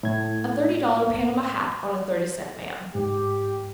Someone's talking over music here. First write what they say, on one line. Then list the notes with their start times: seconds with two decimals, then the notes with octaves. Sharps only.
A thirty-dollar Panama hat on a thirty-cent man.
0.03 A2 G#6
2.95 G#2 G4